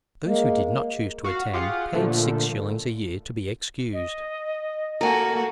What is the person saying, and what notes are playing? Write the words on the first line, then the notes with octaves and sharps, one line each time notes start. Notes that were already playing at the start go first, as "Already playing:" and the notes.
Those who did not choose to attend paid six shillings a year to be excused.
G#3 A#3
F#4 F5
F4 G4 G#4 F5 F#5
A#2 D3 F3 A3
D#5
A#3 F#4 A4 A#4 G#5